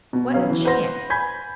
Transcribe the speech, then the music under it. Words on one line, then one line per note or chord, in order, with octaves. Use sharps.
What a chance!
B2
F#3 B3 C#4 F5
E3
B4 C5 F#5 C6 A#6
G#5 B5 G6 G#6 B6